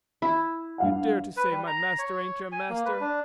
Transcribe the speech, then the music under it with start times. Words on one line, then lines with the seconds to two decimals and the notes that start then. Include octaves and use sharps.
You dare to say my master ain't your master!
0.22 E4
0.78 G2 F5 F#5
1.37 B4
1.51 G3
1.67 A#5
1.99 C#5
2.52 G#5
2.69 A#3
2.85 B4
3.00 D4